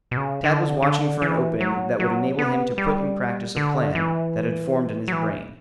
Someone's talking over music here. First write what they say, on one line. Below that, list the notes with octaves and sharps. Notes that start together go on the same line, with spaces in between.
Tad was watching for an opening that would enable him to put in practice a plan that had formed in his brain.
B2
C#3
D3
D3
E3
F#3
F#3
B3
G3
D3
E3
F#3
E3